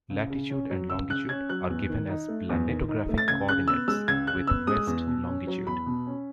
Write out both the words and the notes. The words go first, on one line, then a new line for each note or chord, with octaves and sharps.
Latitude and longitude are given as planetographic coordinates with west longitude.
C#2
C#3
C#4
F#3
C#2 E6
C#3 F#6
C#4 G#6
F#3 F#6
E2
D#3
D#4
A3
E2
D#3
D#4
A3
A6
C#2 G#6
C#3 F#6
B3 E6
G#3 E6
C#2 G#6
C#3 F#6
B3 E6
G#3 D#6
E2
B2
C#4
F#3
E2 B5
B2
C#4